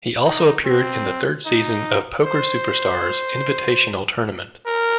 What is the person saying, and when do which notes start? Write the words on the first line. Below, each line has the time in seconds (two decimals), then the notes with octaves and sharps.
He also appeared in the third season of "Poker Superstars Invitational Tournament".
0.26 D#4
0.65 C4
1.46 D#4
2.25 C5
4.66 A#4